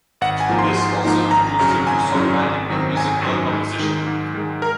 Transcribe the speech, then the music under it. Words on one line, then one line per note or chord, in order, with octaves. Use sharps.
This also introduced him to songwriting and musical composition.
G#1 F#5
G#5
G#2 F3 A#3 D#4
C6
G#1 C6
G#2 F3 A#3 D#4
G#1 A#5
F#2 C#3 F#3 C#4
G#1 G#5
F#2 C#3 F#3 C#4
G#1
F#2 D#3 F#3 C4
G#1 G#5
F#2 D#3 F#3 C4
G#2
D#3 G#3
G#2
D#3 G#3
A#4